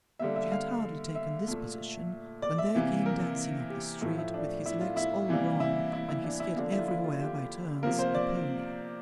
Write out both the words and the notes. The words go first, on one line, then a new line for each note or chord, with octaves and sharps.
She had hardly taken this position, when there came dancing up the street, with his legs all wrong, and his head everywhere by turns, a pony.
D3 G3 A#3 E5
E5
F5
E5
A#2 A3
D5
E5
C3 E3 A#3
A#4
G4
A2 F3 A3 E4
E4
D4
E4
F4
E4
C3 E3 G3 A#3
E4
E4
E4
D4
E4
D3 F3 A#3 D4
E4
F4
E4
F4
G4
C3 F3 A#3 A#4
C5
D5